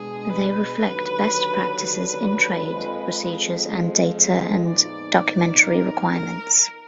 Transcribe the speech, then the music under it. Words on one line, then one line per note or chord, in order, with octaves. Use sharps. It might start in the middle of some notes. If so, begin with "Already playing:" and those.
They reflect best practices in trade procedures and data and documentary requirements.
Already playing: B2 G#3 D4 G#4
B4
D#2 D3 F#3 D4 B4
B4
F2 F3 G#3
A#2 F3 B3 D#4 D5
D5
A#4
A#4